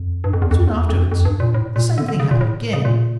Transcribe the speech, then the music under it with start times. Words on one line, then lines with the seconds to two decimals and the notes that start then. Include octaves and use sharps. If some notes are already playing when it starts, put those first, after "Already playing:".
Soon afterwards the same thing happened again.
Already playing: F2
0.24 G2
0.33 F2
0.42 E2
0.51 F2
0.67 E2
0.89 F2
1.12 F2
1.25 G2
1.40 A#2
1.54 A2
1.76 A#2
1.98 D3
2.08 D3
2.20 C#3
2.31 A#2
2.41 A2
2.73 C#3
2.85 A#2